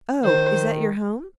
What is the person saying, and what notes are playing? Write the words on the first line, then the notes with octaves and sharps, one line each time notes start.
"Oh; is that your home?"
D#3 C5